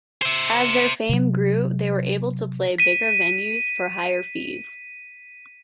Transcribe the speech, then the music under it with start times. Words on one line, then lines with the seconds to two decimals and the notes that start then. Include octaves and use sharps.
As their fame grew they were able to play bigger venues for higher fees.
0.22 C5 E5
1.09 C3 F#3
2.78 B6 D#7